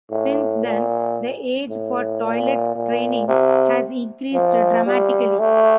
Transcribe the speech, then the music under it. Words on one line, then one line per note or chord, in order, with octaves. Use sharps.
Since then, the age for toilet training has increased dramatically.
A2
A#2
A2
A#2
A#2
C3
F3
G3
A3